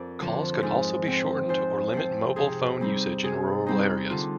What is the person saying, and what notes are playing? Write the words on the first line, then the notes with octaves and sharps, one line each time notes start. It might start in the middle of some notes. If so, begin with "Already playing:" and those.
Calls could also be shortened or limit mobile phone usage in rural areas.
Already playing: F2 A#4 C5 D5
D3 F3
G#2
F3 C4
G#2 C5
F3 C4
C3 G#4
G3 C4 D#4
C3 G#4
G3 C4 D#4
D3 F4